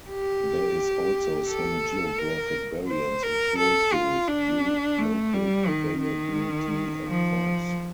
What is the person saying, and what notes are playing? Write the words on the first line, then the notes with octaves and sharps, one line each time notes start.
There is also some geographic variance in fuels used, due local availability and price.
G4
A4
A#4
C5
A#4
A4
F4
D4
A3
G3
D#3
D#3
F3